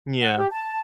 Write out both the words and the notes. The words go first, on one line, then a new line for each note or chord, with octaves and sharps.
N yeah.
F#5
G4
A5